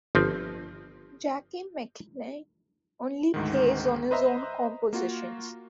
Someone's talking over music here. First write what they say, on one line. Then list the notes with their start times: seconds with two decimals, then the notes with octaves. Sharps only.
Jackie McLean only plays on his own compositions.
0.15 G1 F3 C4
3.34 D2 G#2 D#3
4.11 B4 C5 D#5 E5 A#5
4.93 A#3 F4 F#4